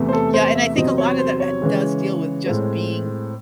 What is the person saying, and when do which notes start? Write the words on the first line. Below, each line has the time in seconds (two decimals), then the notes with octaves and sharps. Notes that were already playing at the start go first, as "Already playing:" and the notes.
Yeah, and I think a lotta that ha does deal with just being,
Already playing: E2 C3 E3 A3
0.09 C5
0.13 A4
0.34 C5
0.55 E5
0.76 E2 C3 F#3 C4 D#5
0.98 C#5
1.19 C5
1.40 C#5
1.62 C#3 E3 G#3
2.46 A2 G#3 C4